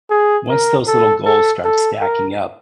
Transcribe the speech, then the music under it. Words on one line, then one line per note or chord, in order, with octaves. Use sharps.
once those little goals start stacking up,
G#4
A#4
A4
A4
A4
A#4